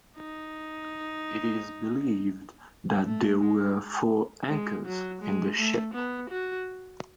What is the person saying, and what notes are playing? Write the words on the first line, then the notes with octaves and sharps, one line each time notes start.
It is believed that there were four anchors in the ship.
D#4
A3
G#3
G#3
F#3
G#3
A3
B3
F#4